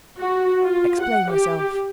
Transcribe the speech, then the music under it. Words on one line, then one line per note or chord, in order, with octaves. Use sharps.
"Explain yourself."
F#4
F4
F#5
G4